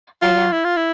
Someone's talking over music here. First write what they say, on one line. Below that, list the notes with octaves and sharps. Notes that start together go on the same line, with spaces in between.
I know.
F4
E4
F4
E4